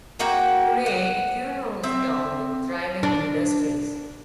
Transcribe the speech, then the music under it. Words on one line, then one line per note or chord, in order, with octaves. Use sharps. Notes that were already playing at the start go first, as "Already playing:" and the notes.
Today, Ikuno is a town with thriving industries.
A#3 F#4 F#5 G5
F#5
C4 E5
D4